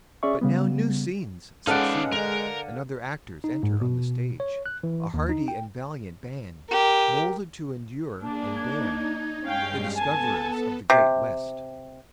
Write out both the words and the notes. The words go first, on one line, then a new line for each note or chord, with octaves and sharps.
But now new scenes succeed, and other actors enter on the stage, a hardy and valiant band, moulded to endure and dare,--the Discoverers of the Great West.
C#4 G#4 D5 E5 C#6
C#3 G3 B3
G#3 B3 C#4 D#4 A4 D5 F5 F#5
D3 A#4
D#4
G#2
B2
C#5
F#6
E3
D#2
D#4
G5
G4 A#4
A#3 D4 G#4 A5
D#4 G#6
G2 G#3 C#4 F5 G5 C7
B3 A4 G#5 A5
C3